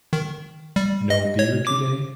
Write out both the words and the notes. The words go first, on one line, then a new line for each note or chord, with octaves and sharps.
No beer today?
D#3
G3
D#5
C#5
D6